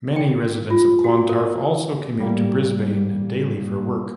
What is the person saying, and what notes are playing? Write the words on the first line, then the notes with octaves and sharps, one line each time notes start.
Many residents of Clontarf also commute to Brisbane daily for work.
G5
F4
F#4
A#4
A2 G3 A#3